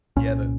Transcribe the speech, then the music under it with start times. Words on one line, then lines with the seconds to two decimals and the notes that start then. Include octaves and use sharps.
Yeah, the
0.16 C2 A#2 C#4